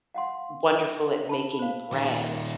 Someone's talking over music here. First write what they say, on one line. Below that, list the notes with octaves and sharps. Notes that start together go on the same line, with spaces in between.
wonderful at making bread,
F5 F#5 C6
G5 A5 B5
C5 F5
A#2 D#3